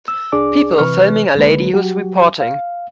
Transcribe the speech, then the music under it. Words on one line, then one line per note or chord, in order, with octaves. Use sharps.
People filming a lady who is reporting.
E6
C2 D4 G#4 D5 D6
C3 E3 B4 C#6 F6
C2 D3 G#3 A#3 B4
F#3 F#4 G4
F5